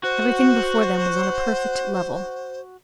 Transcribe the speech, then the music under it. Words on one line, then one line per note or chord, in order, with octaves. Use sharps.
Everything before them was on a perfect level.
F#4 C5